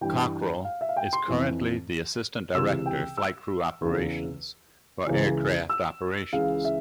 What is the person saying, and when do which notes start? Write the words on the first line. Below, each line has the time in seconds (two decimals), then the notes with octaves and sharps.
Cockrell is currently the Assistant Director, Flight Crew Operations, for aircraft operations.
0.01 G2 E3 G5
0.65 F5
0.81 E5
0.89 F5
0.96 G5
1.13 C6
1.28 F2 E3
2.54 C#2 C3 E3 E6
2.86 G5
3.17 E6
3.81 E2 C#3 E3
5.07 C#2 C#3 E3
5.70 E6
6.33 C#2 C#3 E3 F5
6.65 E5